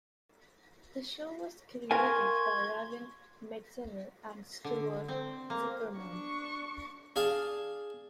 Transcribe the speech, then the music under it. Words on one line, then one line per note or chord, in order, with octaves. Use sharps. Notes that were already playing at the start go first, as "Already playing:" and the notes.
The show was created by Raven Metzner and Stuart Zicherman.
A#4 F5 G#5 C6 C#6 G#6
D3
C4
A#3
D4 C#6
D4 G#4 F5 A5